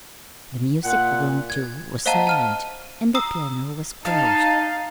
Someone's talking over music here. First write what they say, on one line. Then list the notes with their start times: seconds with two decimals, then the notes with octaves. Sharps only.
The music room, too, was silent, and the piano was closed.
0.84 A#2 F#5
1.50 G#6
2.06 C5 D#5 F5 F#5 A5 A#5
2.27 A5 F6 D#7
3.14 A#5 D#6 E6 C7
4.05 D#4 F5 A5